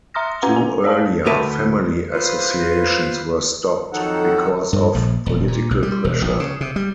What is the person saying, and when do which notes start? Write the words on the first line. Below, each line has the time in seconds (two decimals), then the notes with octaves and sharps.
Two earlier family associations were stopped because of political pressure.
0.14 E5 A#5 C6 D#6 F6 A#6
0.42 C#4 F4 B4 F#5 G#5 A#5
0.56 G#5
0.84 C#5 D5 F5 A5
1.26 D2 A3 A#4 B4 A5
2.12 F4 B4 C5
3.93 F2 D#3 F#3 D#4 A4 F#5
4.73 G2
4.95 A#1
5.26 D#1
5.48 A#2
5.71 B1
5.83 G3
6.04 E1
6.22 A#1
6.40 C#3
6.61 C3
6.76 G3